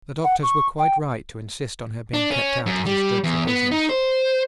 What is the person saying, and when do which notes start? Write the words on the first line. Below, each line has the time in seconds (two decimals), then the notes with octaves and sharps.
The doctors were quite right to insist on her being kept out of this dreadful business.
0.24 F#5
0.43 C#6
0.79 G5
2.14 D4
2.31 C#4
2.66 F#2
2.86 G3
3.24 E2
3.47 B3
3.71 D#4
3.89 C5